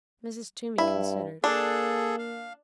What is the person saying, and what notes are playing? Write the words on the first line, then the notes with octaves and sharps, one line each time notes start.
Mrs. Toomey considered.
G2 E4
A#3 D4 G#4 A4
F5